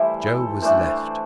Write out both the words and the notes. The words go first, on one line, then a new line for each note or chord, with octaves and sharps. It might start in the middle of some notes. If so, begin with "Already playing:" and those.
Joe was left.
Already playing: E3 G3 A3 E4 C5 G5
A4
E3 A3 D4 C5
C5